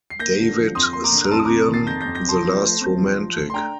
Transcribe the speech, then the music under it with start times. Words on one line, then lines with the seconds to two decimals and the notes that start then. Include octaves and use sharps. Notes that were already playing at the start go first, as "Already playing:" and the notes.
"David Sylvian: the Last Romantic".
0.10 C7
0.20 A#3 G6 A#6
0.39 D3
0.58 F3
0.75 F2 C6 D#6
0.93 A#3 C6
1.04 A#5 D6
1.12 D3
1.25 A#5
1.31 F2 A5 C6
1.39 D#6
1.45 C3 A#5 D6
1.68 D#3
1.74 A6 C7
1.87 F2 G6 A#6
2.01 F2 G6 A#6
2.15 G6 A#6
2.24 C3
2.29 A5 C6
2.43 F3
2.61 A3
2.81 C4
2.99 F3
3.17 F3
3.35 A3
3.50 C6
3.54 D4 G5 A#5